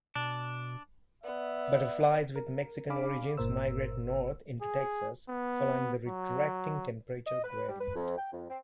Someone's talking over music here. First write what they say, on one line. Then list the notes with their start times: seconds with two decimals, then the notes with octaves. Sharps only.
Butterflies with Mexican origins migrate north into Texas, following the retracting temperature gradient.
0.15 B2 D4
1.24 B3 D5 E5
2.36 A#4
2.89 D4 G#4 F5 B5 D6
3.37 G1 A#2 A#4 C5 E6
4.61 G#4
5.29 B3
6.07 F#3
7.26 D#5
7.44 B4
7.68 G3
7.81 B4
7.96 F2
8.18 G5
8.32 F2
8.50 C4